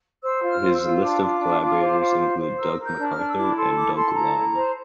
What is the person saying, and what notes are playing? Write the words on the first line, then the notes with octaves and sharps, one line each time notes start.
His list of collaborators include Doug McArthur and Doug Long.
C5 E6
F4
F6
C5
E6
F4
D4 D6
F4
D4
F4
C5
F4
C5
C5
A#4 E6
A#4
G6
D4
F6
D4
E6
E4 D6
A4 C6
E4 D6
A4 C6
E4 A#5
E4
C5